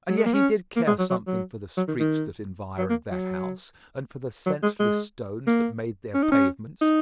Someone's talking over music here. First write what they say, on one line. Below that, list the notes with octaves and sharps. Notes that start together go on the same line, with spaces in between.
And yet he did care something for the streets that environed that house, and for the senseless stones that made their pavements.
F#3
G#3
A#3
C#4
A#3
G#3
F#3
F#3
F#3
F#3
D#3
D#3
F#3
A#3
F#3
F#3
G#3
G#3
A#3
C#4
D#4
C#4
D#4